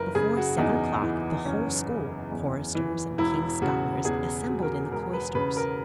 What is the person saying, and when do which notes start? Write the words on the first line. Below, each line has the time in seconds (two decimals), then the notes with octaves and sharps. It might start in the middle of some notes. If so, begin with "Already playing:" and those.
Before seven o'clock, the whole school, choristers and king's scholars, assembled in the cloisters.
Already playing: F#1 A#4 B4
0.15 C#3 G#4
0.37 F#4
0.58 E2 D#4
1.02 E3
1.45 F#1 C#4
1.88 C#3
2.32 E2
2.75 E3
3.18 E1 E4
3.62 C#3 F#4
4.05 E2 G#4
4.49 F#3
4.63 A#4
4.92 E1 A#4
5.13 B4
5.35 C#3 B4
5.57 A#4